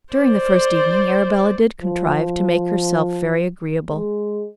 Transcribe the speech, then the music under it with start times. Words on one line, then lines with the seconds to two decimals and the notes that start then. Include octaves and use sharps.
During the first evening Arabella did contrive to make herself very agreeable.
0.14 C5 D5
1.81 F3
3.91 G#3